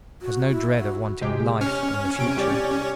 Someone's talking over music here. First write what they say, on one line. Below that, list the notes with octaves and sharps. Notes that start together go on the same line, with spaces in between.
Has no dread of wanting "life" in the future.
F#4
E4
F#4
C3 G#3 G4
C#4 F6
C3 D7
C2 G4 D5